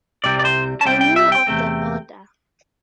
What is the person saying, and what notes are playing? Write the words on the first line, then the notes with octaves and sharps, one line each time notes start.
I knew of the order.
C2 C3 G3 C4 D5
D5
C5
A5
C2 C3 G3 C4 G5
G5
E5
G5
E2 C3 A3 C4